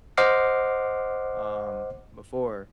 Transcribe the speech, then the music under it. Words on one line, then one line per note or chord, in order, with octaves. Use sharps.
um, before,
C5 D#5 F#5 D6 F6 C7